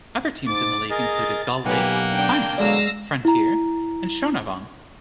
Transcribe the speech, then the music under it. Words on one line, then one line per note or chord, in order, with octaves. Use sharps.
Other teams in the league included Gull Lake, Climax, Frontier, and Shaunavon.
G#2 D6 A6
G#4 A#4 D#5
B1 A#3 G4 B4 F#5 G#5
D4 G5 G6
B2 D3 F#3 G#3 D5 F5 E6 A#6
E4 A#5